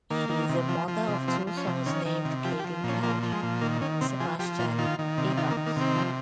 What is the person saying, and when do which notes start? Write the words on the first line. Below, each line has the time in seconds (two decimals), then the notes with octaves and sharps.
She is a mother of two sons named Kayden Cash and Sebastian Evans.
0.10 D#3 A#3
0.30 D#3
0.49 C3
0.69 F3
0.88 F3
1.08 C3
1.28 F3 C4
1.47 F3
1.57 C#4
1.67 C3
1.86 D#3 C#4
2.06 D#3
2.25 C3
2.45 F3 G4
2.59 G4
2.64 F3
2.84 A#2
2.89 C#4
3.03 F3 A#3
3.23 F3
3.32 G#3
3.43 A#2
3.61 D#3 A#3
3.81 D#3 C#4
4.01 C3 C4
4.20 F3 G#4
4.39 F3 G4
4.59 A#2 F4
4.78 D#3 F4
4.99 D#3
5.18 C3
5.37 D#3 F4
5.51 A#3
5.57 D#3
5.66 A#3
5.76 C3 C4
5.95 F3